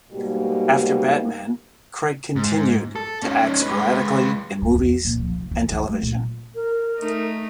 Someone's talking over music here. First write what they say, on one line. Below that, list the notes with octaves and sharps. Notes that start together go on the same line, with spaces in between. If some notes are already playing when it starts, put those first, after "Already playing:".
After "Batman", Craig continued to act sporadically in movies and television.
G#2 B2 G3 A#3 G4
G#2
A4
C#4 D#4
G#3 B4
A2
E2
A#2
F3
F1
E3
D#3
A3
A#2
A#4
A3 D#4